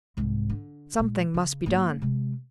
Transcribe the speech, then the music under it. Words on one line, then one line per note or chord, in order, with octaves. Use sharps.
Something must be done.
C2 G#2
D3
A#2 G#3
C#3
G#2 A#3
C3 G#3